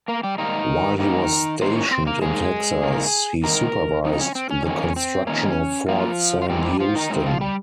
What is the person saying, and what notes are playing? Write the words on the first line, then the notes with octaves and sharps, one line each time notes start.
While he was stationed in Texas, he supervised the construction of Fort Sam Houston.
A#3 A#4
G3 G4
G#2 D#3 G3 A#3 D#4
G#2 D#3 G3 A#3 D#4
G#2 D#3 A#3 C5
C#4 C#5
C4 C5
A#3 A#4
G#2 D#3 G#3 A#3 G#4
G#2 D#3 A#3
G#2 D#3 A#3 A#4
F2 D#3 D#4
C#4
C4
C#4
F2 D#3 A#3 C#4
C4
F2 D#3 A#3 C#4
F2 D#3 F3 A#3 F4
F4
G#2 D#3 G3 G#3 C4 G4
G3 G4
F3 F4
D#3 D#4
G#2 D#3 G#3 C4 C#4
F3 F4
G3 G4